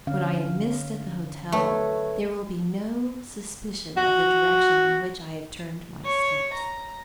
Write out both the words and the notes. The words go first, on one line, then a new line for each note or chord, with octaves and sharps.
When I am missed at the hotel, there will be no suspicion of the direction in which I have turned my steps.
D3 C#4 F5
F#3 A3 B4 C#5
F#4
C#5
A#5